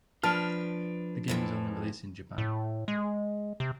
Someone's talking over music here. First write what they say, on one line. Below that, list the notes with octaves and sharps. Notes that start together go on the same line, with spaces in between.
The game was only released in Japan.
F3 D4 B4 A5 F6
F2 A2 E3
A2
G#3
C3